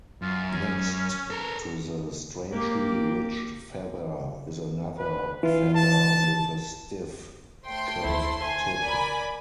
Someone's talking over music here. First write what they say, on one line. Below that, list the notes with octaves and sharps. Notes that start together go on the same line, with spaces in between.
Next to the strangely ridged feather is another feather with a stiff, curved tip.
F#2 F4
C#4
A4 A#4
A#3 G4
B4
E3 F4
A5
A3 C5 G5 C6
D2 E4
G#5
A#4 D5 B5